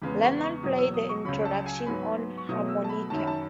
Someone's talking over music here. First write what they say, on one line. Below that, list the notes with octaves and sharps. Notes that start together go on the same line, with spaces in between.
Lennon played the introduction on harmonica.
E2 C#3 G#3 B3 B5
C#6
C#6
E2 B2 F#3 D#6
E6
D#6
C#6
C#2 C#3 F#3 B5
A5
G#5
G#2 F#3 B3 B5
C#6
B2 F#3 A3 D#6
E6
A5
B5
F#2 D#3 F#3 A5
B5
A5